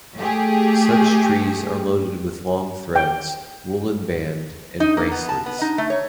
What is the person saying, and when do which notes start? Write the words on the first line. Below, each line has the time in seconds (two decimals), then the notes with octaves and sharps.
Such trees are loaded with long threads, woollen band, and bracelets.
0.17 A3 G4 G#4
2.96 G5
4.80 D#4
4.97 A#3
5.12 B3
5.29 A5
5.46 B3
5.61 D#4
5.78 A3
5.90 C#5